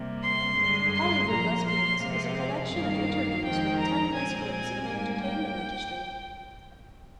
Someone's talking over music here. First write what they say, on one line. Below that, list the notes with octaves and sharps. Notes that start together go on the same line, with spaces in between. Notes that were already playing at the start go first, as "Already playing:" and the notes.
"Hollywood Lesbians" is a collection of interviews with ten lesbians in the entertainment industry.
Already playing: C3 G3 A#3
C6
G2 D3 G#3
C6
A#2 F3 A#3 A#5
C6
C3 F3 G#3 C4 F5
G2 D#3 A#3 F5
F2 D#3 G#3 C4 G5
A#5
A#2 G#3 C4 G#5
G#5
G#2 G3 A#3
G5